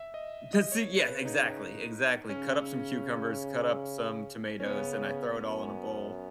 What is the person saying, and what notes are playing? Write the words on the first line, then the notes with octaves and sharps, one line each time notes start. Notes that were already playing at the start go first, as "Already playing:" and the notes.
Tzatziki yeah, exactly, exactly. Cut up some cucumbers, cut up some tomatoes, and I throw it all in a bowl,
Already playing: E5
D#5
D#5
C#3 C#5
B4
D#4
C#3 C#4
C#4
C#3 B3
F#2